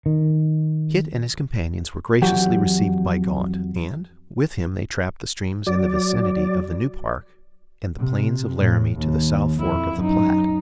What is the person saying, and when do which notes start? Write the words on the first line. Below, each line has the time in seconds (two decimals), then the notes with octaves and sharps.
Kit and his companions were graciously received by Gaunt; and, with him they trapped the streams in the vicinity of the New Park and the plains of Laramie to the South fork of the Platte.
0.06 D#3
2.22 F2 E3 F#3 G4 F#5
5.67 F#3 D5
7.98 C3
8.55 A2
8.97 D#2
9.59 F2 E4
10.00 F#2 D#4